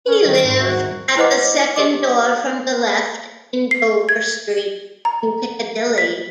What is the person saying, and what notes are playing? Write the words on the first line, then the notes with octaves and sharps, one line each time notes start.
He lived at "the second door from the left in Dover Street" in Piccadilly.
C#4
D#3 G3 C#4
D#2 G#2
F#4 A#4 E5 A#5
A#1
E4 B4 C5 D#5 F#5 D6
G4 A#4 D#5 D6
C7
G#6
A#5
B6